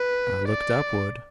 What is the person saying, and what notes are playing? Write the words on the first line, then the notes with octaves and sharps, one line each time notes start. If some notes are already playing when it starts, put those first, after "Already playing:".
I looked upward.
Already playing: B4
D5